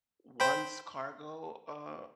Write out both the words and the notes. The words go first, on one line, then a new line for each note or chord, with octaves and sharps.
once cargo, uh,
C5 G5 B5